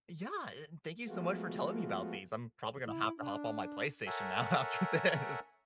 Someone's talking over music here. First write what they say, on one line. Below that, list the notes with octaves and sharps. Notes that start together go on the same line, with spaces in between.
Yeah. Eh, thank you so much for telling me about these, I'm probably gonna have to hop on my PlayStation now after this.
F3 G#3 A3 B3 F4 F#4
E4
D4
A4 A#4 C#5 E5 F#5 G#5